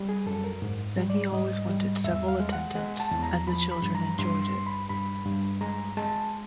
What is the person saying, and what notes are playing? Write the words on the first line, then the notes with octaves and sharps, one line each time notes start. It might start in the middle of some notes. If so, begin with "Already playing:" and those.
Then he always wanted several attendants, and the children enjoyed it.
Already playing: G3
G#4
F#2 A4
A#4
G#2
G3
D5
G#2 D#5
G3
E2 E5
F5
G#3
F#5
G#3 F#5
A5
E2
A#5
F3 B5
B5
G2
A#5
G2 C6
C6
G2
B5
G2 B5
G2
G#3 A#5
G#3 A5